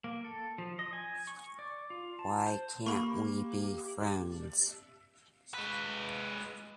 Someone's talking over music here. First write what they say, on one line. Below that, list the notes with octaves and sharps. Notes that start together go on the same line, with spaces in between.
Why Can't We Be Friends?
A#3
A4
F3
D#5
G#5
C#6
D5
F4
A5
C5
A#3 G4 B5 C#6
G#3 B4